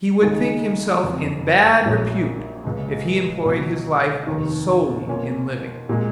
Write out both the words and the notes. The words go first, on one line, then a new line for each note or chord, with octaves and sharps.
He would think himself in bad repute if he employed his life solely in living.
D#2 C#3 G#3 D#4 G#4
F#1 F2 F3
A#1 A#2 F#3 C#4
C#2 C#3 G#3
C#2 B2 F#3 C#4
F1 D#2 D#3
B2 A#3 C#4 F4
A#2 G#3